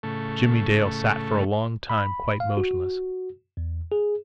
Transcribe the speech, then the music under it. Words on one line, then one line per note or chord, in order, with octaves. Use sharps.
Jimmie Dale sat for a long time quite motionless.
A2 C#3 A3
B5
F5
F#4
E2
G#4